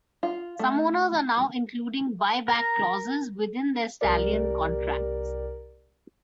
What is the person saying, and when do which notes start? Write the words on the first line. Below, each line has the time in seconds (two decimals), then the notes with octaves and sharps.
Some owners are now including buy-back clauses within their stallion contracts.
0.23 F4
0.59 A3
2.48 A#4 A#5
4.01 C2 G4 A#4 D5